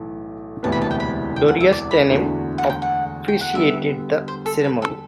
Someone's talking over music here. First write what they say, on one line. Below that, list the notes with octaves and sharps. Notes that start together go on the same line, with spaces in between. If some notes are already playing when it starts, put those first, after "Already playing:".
Gloria Steinem officiated the ceremony.
Already playing: B1 A2 E3 A3
E1 D2 C3 E3 B3 A5
B5
A5
G5
B5
G5
F#5
E5
D5
B5
E2 D3 A3 D4 F#4
F#5
G5
F#5
G5
F#5
D3 G3 B3 E5
C5
A4
B4
A4